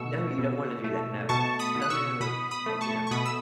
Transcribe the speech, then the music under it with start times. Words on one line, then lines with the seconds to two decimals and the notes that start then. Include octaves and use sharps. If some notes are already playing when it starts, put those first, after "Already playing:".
No, you don't wanna do that, no. Snowmen are just like, you know,
Already playing: B2 A3 C#6 E6
0.38 B2
0.84 A3
1.29 B2 A5 C#6
1.59 B5 D#6
1.75 B2
1.82 F#6
1.90 C#6 E6
2.20 B2 B5 D#6
2.51 B5 D#6
2.66 A3
2.81 A5 C#6
3.07 C#6
3.11 B2 B5 D#6
3.26 E6